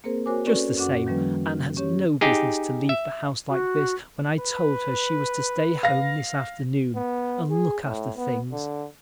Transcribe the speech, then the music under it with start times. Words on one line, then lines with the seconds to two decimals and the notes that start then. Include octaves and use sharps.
Just the same, Anne has no business to leave the house like this when I told her she was to stay home this afternoon and look after things.
0.04 A#3 C4 G#4 A#4 C5
0.26 F#4 A#4 C5 C#5 G#5 D6
0.46 C#4 F#4 A4 B4 D5
0.77 F#2 C#4 F#4 F#5 D6
1.07 D#3 F3 G3 A#3 C#4 B4
1.77 C#4 G4 C#5
2.21 D#4 G4 G#4
2.89 E5
3.49 F#4
4.39 B4
5.83 F5 A#6
6.96 B3
7.50 G#4
7.84 A2
8.17 B3
8.52 D3